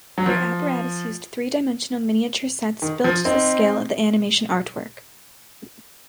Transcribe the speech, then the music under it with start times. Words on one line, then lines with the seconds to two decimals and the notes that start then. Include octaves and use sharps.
Their apparatus used three-dimensional miniature sets built to the scale of the animation artwork.
0.18 F#3
0.26 F3
2.82 D#3
3.04 F3
3.25 C4 D#4